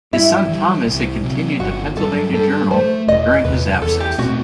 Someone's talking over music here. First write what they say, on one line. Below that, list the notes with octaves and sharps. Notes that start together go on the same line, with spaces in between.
His son Thomas had continued "The Pennsylvania Journal" during his absence.
G2 E4
E3 G3
C2
C3 F#3
G1 F#4
G2 F#3 A4
G2 A4
F#3 A3 C5
E1 D#5
E2 C3 B4
E2 A4
G4
B2 A3 C4 F#4